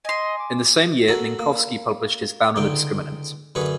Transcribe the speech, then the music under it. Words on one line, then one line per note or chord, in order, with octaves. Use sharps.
In the same year, Minkowski published his bound on the discriminant.
D#5 G#5 C6
D6
F#4 A4 A#4
A#3
C#2 D3 D#4 G5
F#2 D3 G#4 B4 C#6